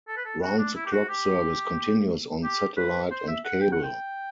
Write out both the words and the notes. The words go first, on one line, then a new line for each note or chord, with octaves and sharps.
Round-the-clock service continues on satellite and cable.
A4
B4
A4
F#4
D4
E4
G4
F#4
G4
G4
B4
C5
E5
F#5
G5
F#5
G5